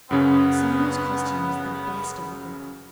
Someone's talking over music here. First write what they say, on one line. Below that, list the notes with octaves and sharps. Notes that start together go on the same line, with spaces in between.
Sonya's costume was the best of all.
F#2 C#3 B3 C#4